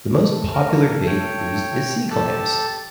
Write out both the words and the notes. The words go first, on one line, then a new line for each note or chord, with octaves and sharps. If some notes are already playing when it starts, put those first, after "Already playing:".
The most popular bait used is sea clams.
A3
A#4
C#5 G5
G4 A4 A5